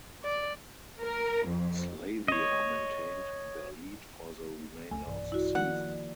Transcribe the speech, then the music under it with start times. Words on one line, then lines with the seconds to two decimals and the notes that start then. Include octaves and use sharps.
Slavia maintained their lead for the remainder of the season.
0.24 D5
1.01 A#4
1.46 F2
2.28 C#5 D#5
4.91 C#2 A3 G#5
5.06 B1 G2 E3 D5
5.32 E4 F#4
5.55 D#3 F3 A#3 F#5